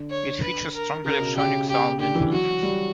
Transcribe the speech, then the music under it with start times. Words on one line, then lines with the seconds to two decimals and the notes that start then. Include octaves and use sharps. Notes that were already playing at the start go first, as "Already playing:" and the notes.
It features strong electronic sound influences.
Already playing: D3
0.10 C#5
0.42 B4
0.74 A#4
1.05 C#3 A#4
1.20 B2
1.36 C#3 G4
1.69 G4
1.99 D3 G4
2.15 E3
2.32 F#3 F#4
2.62 G3